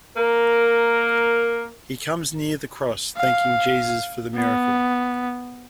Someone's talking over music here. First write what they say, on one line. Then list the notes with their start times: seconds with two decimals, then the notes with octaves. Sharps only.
He comes near the cross thanking Jesus for the miracle.
0.17 A#3 A#4
3.17 F5
4.36 B3